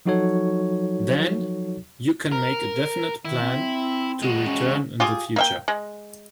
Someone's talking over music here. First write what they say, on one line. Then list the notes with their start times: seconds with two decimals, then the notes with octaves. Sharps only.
Then, you can make a definite plan to return in the future.
0.06 F3 F#3 D#4 F#4 A4 C#5
2.32 A#4
3.25 D#3 E4
3.42 C4
4.22 G#3 F#4
4.47 C#4
5.00 F4 G4 G#4
5.36 A#3 E5 G5
5.68 G#3